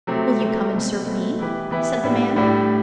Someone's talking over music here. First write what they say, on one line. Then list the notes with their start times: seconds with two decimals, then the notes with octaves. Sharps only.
"Will you come and serve me?" said the man.
0.07 C3 F#3 A3 C4
0.40 C3 F#3 A3 C4
0.73 B2 A3 C4
1.05 B2 A3 C4
1.39 E3 B3 E4 G4 B4
1.71 E3 B3 E4 G4 B4
2.04 A2 G3 D4
2.36 A2 G3 D4